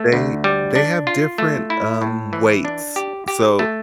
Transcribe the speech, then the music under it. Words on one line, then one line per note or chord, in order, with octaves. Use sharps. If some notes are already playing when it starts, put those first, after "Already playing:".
They they have different, um, weights, so
Already playing: A3
D2
G3
D4
F4
A3
E4
A2
E3
D4
G4
G4
A3